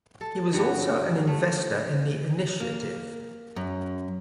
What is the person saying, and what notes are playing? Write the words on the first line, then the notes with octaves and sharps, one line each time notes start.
He was also an investor in the initiative.
A4
G2 D3 B3 F#4
A3
A#3
F#2